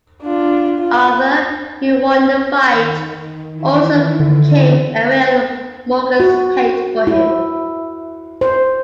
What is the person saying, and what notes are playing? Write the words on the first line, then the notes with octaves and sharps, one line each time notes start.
Arthur, who won the fight, also became aware of Morgan's hate for him.
D4 F4
F4
D#3
D#3 E3 E4
D3
F#4
E4
C5